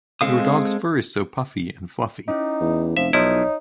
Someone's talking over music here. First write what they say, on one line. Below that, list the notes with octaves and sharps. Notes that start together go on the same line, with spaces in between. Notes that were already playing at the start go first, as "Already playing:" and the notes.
Your dog’s fur is so puffy and fluffy.
G#3 C4 A4 F5 D#6
C#4 D#4 E4
E2
F1 F3 E5
B1 F3 D#4 E4 C#5